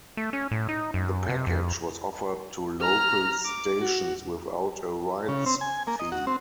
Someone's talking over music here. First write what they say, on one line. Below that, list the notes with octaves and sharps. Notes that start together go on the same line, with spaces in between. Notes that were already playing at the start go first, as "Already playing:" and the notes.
The package was offered to local stations without a rights fee.
A3
C#4
A2
D#4
F#2
C3
F2
A#5 F6
D6
F#4
C#3
C4
G#5
A#3
D#5
F#4
C4